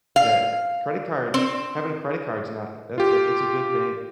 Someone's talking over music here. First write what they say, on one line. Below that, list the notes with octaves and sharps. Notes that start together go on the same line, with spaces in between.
that credit card having a credit card's not uh, it it's a good thing,
F5
C4
F4 G4